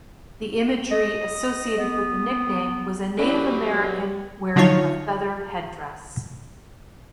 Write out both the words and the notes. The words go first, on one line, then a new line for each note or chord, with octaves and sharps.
The imagery associated with the nickname was a Native American wearing a feather headdress.
D#5
B3
F#3 C#4 E4 F#4 G4 B4 D5
D3 F3 F#3 D#4 F4 C#5